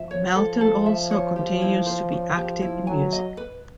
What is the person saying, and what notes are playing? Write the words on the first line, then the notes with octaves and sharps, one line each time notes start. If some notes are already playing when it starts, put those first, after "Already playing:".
Melton also continues to be active in music.
Already playing: F3 E5
C#5
A4
A4
E5
C#5
F3 G4
E4
C5
C#4
G4
E4
F#3 G#5
D#5
B4